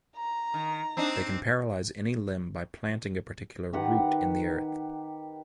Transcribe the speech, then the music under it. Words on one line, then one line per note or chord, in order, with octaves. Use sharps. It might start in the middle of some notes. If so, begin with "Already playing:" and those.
They can paralyze any limb by planting a particular root in the earth.
A#5
D#3
C4 D4 D#4
D#3 G4 B4 F#5